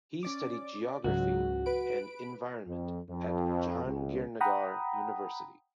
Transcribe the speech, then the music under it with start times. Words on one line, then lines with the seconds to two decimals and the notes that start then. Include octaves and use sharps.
He studied geography and environment at Jahangirnagar University.
0.23 C#4 D5 D6
1.04 C#2 G#2 F#3 F#4
1.66 B4 B5 D7
2.67 F2
3.10 F2
3.85 C#2
4.41 F#5 G5 A#5 B5 D#6